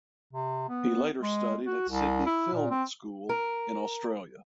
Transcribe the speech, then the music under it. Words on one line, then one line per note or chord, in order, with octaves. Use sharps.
He later studied at Sydney Film School in Australia.
C3
B3
G#3
F#4
C2
E4
A#2
C4
A#4